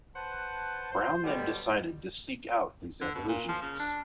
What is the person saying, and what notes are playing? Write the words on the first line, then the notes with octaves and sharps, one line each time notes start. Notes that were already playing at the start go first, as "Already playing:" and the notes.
Brown then decided to seek out these Aborigines.
B4 C5 F#5 A5
C5
B2 D3 F#3 G3
D3
B2
A#2
F3
C#3
D4